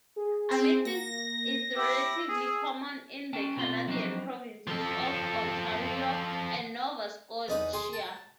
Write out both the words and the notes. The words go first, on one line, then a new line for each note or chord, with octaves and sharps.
Amethyst is relatively common in the Canadian provinces of Ontario and Nova Scotia.
G#4
C4
A#3 A#6
E4 G4 E6
G#4
C#4 G5 A5
B2 C4 F4 C6
F3 F#3 C4 D4 D#4
F3 A4
E2 D#4 B4
G#4 C6
A5